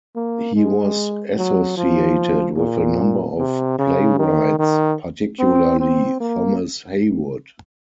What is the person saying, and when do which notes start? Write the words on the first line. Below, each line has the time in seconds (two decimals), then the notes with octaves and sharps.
He was associated with a number of playwrights, particularly Thomas Heywood.
0.16 A#3
0.56 G#3
1.37 F#3
1.77 F3
2.57 A#2
3.38 C3
3.79 C#3
4.19 D#3
4.59 D#3
5.39 C4
5.80 C4
6.21 A#3